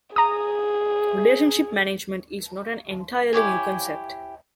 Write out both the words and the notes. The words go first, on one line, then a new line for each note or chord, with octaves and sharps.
Relationship management is not an entirely new concept.
G#4 A#5 D#6
E4 G4 C#5 G#5